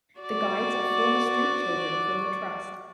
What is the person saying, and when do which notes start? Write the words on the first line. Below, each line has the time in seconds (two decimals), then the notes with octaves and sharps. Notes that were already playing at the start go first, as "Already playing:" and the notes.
The guides are former street children from the trust.
0.20 F#4 D5